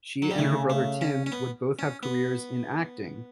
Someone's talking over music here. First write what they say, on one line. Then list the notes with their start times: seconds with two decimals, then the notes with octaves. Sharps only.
She and her brother Tim would both have careers in acting.
0.22 F#3
0.31 G3
0.38 C#3 A3
0.70 A3
1.01 C#4
1.26 C#4
1.32 B3
1.79 C#4
2.03 B3